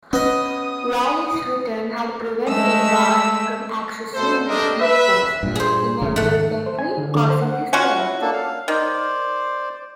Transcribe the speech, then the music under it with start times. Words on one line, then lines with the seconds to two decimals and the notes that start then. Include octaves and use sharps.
Wally's return had prevented Bart from accessing the Speed Force, inadvertently causing his death.
0.13 B3 C#4 D#5 D#6
2.47 G#3 A3 E6
4.14 B2 A3 A4 C5
4.48 G2 A3 C4 D4 A#4 D#5
4.80 B4 E5
5.43 G2 A#2
5.55 G#4 C5
6.02 E1 C#3 A3
6.16 G#2 D#3 A3 F#5
6.66 C5
6.79 G#5
6.97 D3
7.15 D3
7.30 C5
7.42 F#5
7.73 C#4 F4 F#4
7.96 E4
8.21 A#3 D4 A4
8.33 F5
8.68 D#3 C5 D5